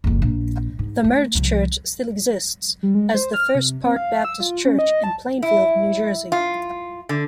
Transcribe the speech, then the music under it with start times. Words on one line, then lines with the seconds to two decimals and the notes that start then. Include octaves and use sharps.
The merged church still exists as the First-Park Baptist Church in Plainfield, New Jersey.
0.04 F#1 F2
0.22 A#1
0.79 G#2
1.04 A3
1.35 C2 F3
2.83 G3
2.95 G#3
3.15 C5
3.34 F6
3.55 C3
3.84 C4
3.96 F5
4.25 E6
4.40 F4
4.65 C#4
4.79 D#5
5.04 A5
5.42 E4
6.32 F4
7.09 D3